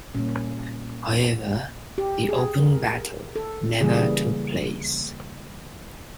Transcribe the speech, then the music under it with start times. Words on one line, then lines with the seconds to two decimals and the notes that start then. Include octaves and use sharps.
However, the open battle never took place.
0.15 A#2 G3 A#3 C#4
1.98 G4
2.29 G#4
2.59 A#4
3.36 A4
3.81 C#3 E3 G3 A#3 G#4